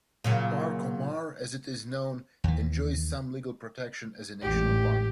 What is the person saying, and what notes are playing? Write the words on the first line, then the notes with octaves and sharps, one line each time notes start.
Parque Omar, as it is known, enjoys some legal protection as a national park.
A#2 C#3 F#3
D#2 E3
A1 E2 G#2 G4